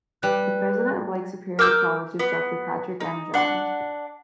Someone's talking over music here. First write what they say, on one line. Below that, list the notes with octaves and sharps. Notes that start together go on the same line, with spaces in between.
The president of Lake Superior College is Doctor Patrick M. Johns.
G3 B4
A#4 D6 E6 G6
B3
D#4
D4 F#5